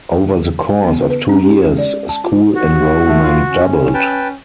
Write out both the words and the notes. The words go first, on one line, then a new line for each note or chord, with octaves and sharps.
Over the course of two years, school enrollment doubled.
B3
B4
C#4
G4
G#3
D5
A5
F4
F#4
A3
F4
C#4
B4 G5 A5